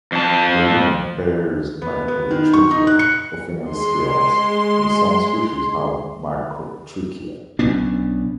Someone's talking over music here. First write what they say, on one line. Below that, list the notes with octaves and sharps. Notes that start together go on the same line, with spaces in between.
The wing bears microtrichia, often as scales, and some species have macrotrichia.
F2 A5
B3
B3
D#3
C#6
D#4
F#6
C#7
G#3 C6
B1 B3 C#4 D4